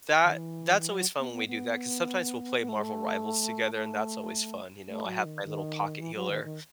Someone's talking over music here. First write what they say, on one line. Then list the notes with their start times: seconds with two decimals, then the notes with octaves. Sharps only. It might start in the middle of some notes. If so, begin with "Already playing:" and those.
that that's always fun when we do that 'cause sometimes we'll play Marvel Rivals together, and that's always fun, you know? I have my little pocket healer.
0.23 D#3
0.33 E3
0.90 F#3
1.19 B3
1.33 B3
1.47 B3
2.60 B3
2.69 A3
2.76 G#3
2.83 A3
3.74 A3
4.88 A3
5.06 F#3
5.25 D#3
5.44 D#3
6.01 E3
6.15 F#3
6.30 D#3
6.44 D#3